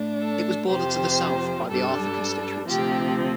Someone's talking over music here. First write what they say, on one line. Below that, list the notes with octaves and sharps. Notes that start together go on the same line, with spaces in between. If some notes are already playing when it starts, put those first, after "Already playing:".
It was bordered to the south by the Arthur constituency.
Already playing: A2 A3 D4
A4
F2 C3 F3 G4 C5
G2 G3 D4 A4
D2 C3 F3 C4 G4